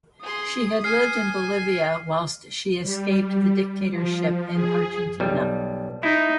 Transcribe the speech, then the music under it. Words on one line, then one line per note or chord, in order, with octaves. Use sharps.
She had lived in Bolivia whilst she escaped the dictatorship in Argentina.
G#4 C6 D#6
G#5 F6 C7
G3
F3
G#4
B1 G3
D#4 E4